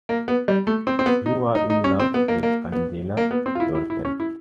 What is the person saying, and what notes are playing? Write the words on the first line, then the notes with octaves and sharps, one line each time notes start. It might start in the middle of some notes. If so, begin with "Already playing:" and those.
You're in love with Angela yourself.
A#3
B3
G3
A3
C4
C4
B3
D#4
D#4
D#4
C#4
C4
B3
A#3
A#3
B3
A#3
B3
C4
F4
E4
E4
E4
C#4
E4